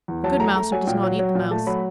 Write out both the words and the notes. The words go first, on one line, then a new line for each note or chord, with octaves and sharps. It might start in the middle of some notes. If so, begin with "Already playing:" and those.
A good mouser does not eat the mouse.
E2
F#3 A5
A3 A#5
A3 A#5
F#3 G#5
A#2 G5
F#3
F#3
A#2
A3 A5
F#3 B5